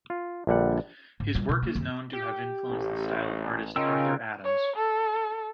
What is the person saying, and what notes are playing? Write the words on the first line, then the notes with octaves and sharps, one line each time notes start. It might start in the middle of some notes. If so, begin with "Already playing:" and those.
His work is known to have influenced the style of artist Arthur Adams.
F4
A#1 D3 G3 F#5
G#2
E3 G3
B2
A#3
F#2 D#3
G4
A1
C#3 C#4 D#4 F4 A#4 G5 E6
C#5
A4